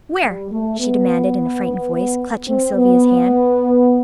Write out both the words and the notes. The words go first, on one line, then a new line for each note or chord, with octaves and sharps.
"Where?" she demanded, in a frightened voice, clutching Sylvia's hand.
G3
A3
B3
C4
B3